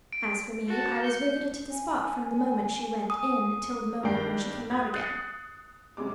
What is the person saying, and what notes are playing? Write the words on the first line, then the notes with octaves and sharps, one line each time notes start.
As for me, I was rivetted to the spot from the moment she went in till the moment when she came out again.
D7
F#4 A5
G6 C#7
G#5
D#6
G2 D#3 A#3 D5 G5 C7
D#6 G#6
D#6 F#6 A6 C7 C#7 D#7
F#2 C3 G#3 D6